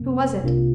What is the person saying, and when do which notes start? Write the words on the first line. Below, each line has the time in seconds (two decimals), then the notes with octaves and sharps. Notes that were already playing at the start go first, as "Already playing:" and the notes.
"Who was it?"
Already playing: F2 C3 A#3
0.44 C2 C3 A#3 D4 F4